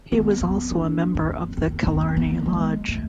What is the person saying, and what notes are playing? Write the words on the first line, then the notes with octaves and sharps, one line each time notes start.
He was also a member of the Killarney Lodge.
B3
C4
D4
C4
C4
C4
B3
G#3
A3